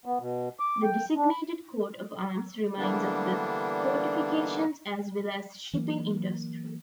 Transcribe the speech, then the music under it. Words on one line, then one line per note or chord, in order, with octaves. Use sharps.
The designated coat of arms reminds of the fortifications as well as shipping industry.
B3
B2
D6
G5
D4
D3 E3 G3 A#3 B3 D4
E3 F#3 G#3 A#3